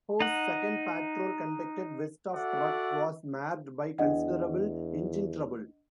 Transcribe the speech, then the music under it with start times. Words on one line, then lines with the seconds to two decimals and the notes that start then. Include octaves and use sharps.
"Hoe"'s second patrol, conducted west of Truk, was marred by considerable engine trouble.
0.20 D#4 F#5
2.33 F#4 A4 D5 E5 F#5
3.99 E2 D4 D#5 F#5